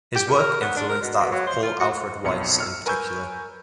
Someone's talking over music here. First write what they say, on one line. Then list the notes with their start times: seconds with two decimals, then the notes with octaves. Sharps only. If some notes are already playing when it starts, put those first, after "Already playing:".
His work influenced that of Paul Alfred Weiss in particular.
0.16 G4
0.27 A#2
0.38 A#4
0.61 B3
0.77 D4
0.89 A#4
1.02 B2
1.20 B2
1.32 F#3
1.47 C5
1.63 F4
1.80 F#4
2.25 B1 F2 C#7
2.59 E6 F6 C#7
2.86 A#4 B4 G#5 C#6 E6 G6